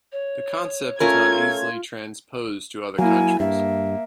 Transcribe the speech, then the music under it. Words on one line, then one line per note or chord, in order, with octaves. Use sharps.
The concept is not easily transposed to other countries.
C#5
A3 C#4 F4 A4 A#4 G#6
F#3 A#3 E4 G#5
G2 A#3 E5